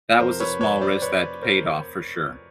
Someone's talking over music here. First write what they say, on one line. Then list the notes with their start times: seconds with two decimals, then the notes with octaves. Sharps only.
that was a small risk that paid off for sure.
0.19 F2 C3 F3 A#4 C5
0.40 B4 C#5
0.61 B4 C#5
0.81 C5 D5
1.02 B4 C#5
1.42 A#4 C5